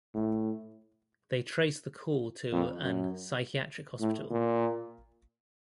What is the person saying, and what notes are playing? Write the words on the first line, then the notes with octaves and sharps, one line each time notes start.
They trace the call to an psychiatric hospital.
A2
F2
F#2
A2
A#2